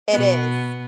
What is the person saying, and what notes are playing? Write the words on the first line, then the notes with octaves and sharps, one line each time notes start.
It is.
B2 B3